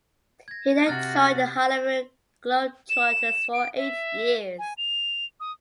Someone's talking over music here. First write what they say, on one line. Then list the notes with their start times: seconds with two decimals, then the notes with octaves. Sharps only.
He then joined the Harlem Globetrotters for eight years.
0.48 G#6 A#6
0.87 C3 F#4 F6 F#6 A6
2.90 E7
3.53 D7
3.77 E5
4.59 G#5
4.78 F7
5.40 D#6